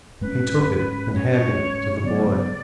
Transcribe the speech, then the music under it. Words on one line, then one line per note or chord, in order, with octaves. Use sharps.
He took it and handed it to the boy.
G#2 G#3 C#4 B4
G#2 G#3 C#4
G#2 G#3 C#4 C#5
G#2 G#3 C#4
C#3 F#3 B3 D5